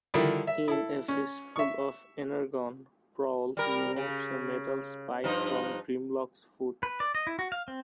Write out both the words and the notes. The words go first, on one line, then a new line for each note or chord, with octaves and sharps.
In "A Fistful of Energon", Prowl removes a metal spike from Grimlock's foot.
D3 D#3 F3 G3 E4
E5
E4 A4
C#4
E5 C#6
G3 A#4
C#3
G2 F3 D#4
B4
D5
D#5
E4
F#4
F5
C4